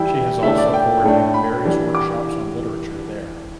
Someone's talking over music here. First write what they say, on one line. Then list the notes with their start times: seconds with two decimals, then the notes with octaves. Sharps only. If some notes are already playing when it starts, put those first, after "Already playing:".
She has also coordinated various workshops on literature there.
Already playing: E3 G3 E4 G5
0.43 A2 A3 D4 E5
0.58 D5
0.74 G5
1.04 A2 A3 D4
1.34 B5
1.64 E3 G3 D4
1.95 D6